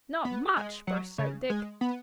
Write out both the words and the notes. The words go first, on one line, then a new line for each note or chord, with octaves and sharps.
"Not much!" burst out Dick.
B3
G#3
F#3
C#3
G#3
B3